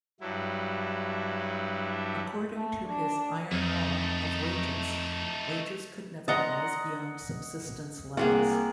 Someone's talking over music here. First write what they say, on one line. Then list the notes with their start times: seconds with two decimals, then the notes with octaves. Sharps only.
According to his Iron Law of Wages, wages could never rise beyond subsistence levels.
0.21 G2 F#3 E4
2.56 A3
2.87 D4
3.52 F2 A3 D#4
6.28 D5 D#5 F#5 A#5 C6
8.17 C2 A#3 G#4 F#5